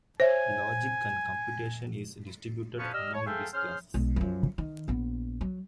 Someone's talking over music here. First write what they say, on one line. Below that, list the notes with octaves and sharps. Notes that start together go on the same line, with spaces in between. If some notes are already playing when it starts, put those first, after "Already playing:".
Logic and computation is distributed among these classes.
C5 C#5 E5 G#5
D2 F3 C#4 B4 A5 C#6
G3 D#5 E6 F6
C#5
G#4 A4 C5 E5 F5 G5
C#4 G#4 C5 F6
B1 G#3
F#2 F3
D#3
A#1 B3
F#3